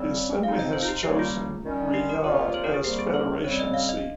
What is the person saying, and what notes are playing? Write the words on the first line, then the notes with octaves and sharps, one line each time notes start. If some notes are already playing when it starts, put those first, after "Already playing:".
The assembly has chosen Riyadh as federation seat.
Already playing: C#3 G3 C4
F3 C4 D#4 F5
D#5
C5
F4
G4
C#3 G3 A#3 G4
F4
D#3 G3 C#4
G4
A#4
C3 G3 A#3 F4 C#5
C5
A#4
G#4
C3 G3 A#3 G4
G#4
C5
C#3 G3 C4 C#5
D#5
F5
D#5